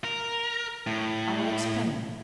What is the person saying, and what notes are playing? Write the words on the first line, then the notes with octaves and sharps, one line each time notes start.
I'll explain.
A#4
A2